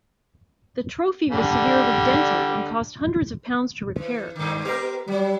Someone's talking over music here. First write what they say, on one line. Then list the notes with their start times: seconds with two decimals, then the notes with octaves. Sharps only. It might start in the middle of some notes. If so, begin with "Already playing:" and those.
The trophy was severely dented, and cost hundreds of pounds to repair.
1.31 D3 G3
3.96 E3
4.36 G2 D#3
4.65 B3 G4 A#4
5.08 F#3 G3